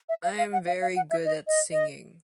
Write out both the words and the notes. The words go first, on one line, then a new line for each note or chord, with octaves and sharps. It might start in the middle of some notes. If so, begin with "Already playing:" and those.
I'm very good at singing!
E5
F5
F5
F#5
F5
F5
F#5
E5
D#5
D#5
D#5